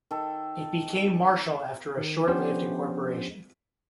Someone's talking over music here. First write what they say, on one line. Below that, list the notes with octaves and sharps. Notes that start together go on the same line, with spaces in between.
It became Marshall after a short-lived incorporation.
D#3 A4
D#3
F3 B3 C#4 D4 G4 C5